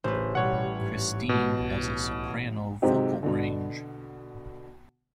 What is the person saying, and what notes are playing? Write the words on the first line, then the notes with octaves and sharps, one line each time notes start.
Kristine has a soprano vocal range.
A1 B4 C5
B2 G3 C#5 F#5
G#2
B2
C2
G#2 C3 F#3 C4 D#4 G4
B2 D3